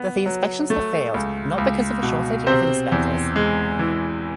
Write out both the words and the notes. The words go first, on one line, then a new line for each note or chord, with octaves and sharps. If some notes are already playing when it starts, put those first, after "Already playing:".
But the inspections have failed not because of a shortage of inspectors.
Already playing: B3
F#3
A3
C#2
C#2
B2
C3 C4 C5
E2
G#3
E3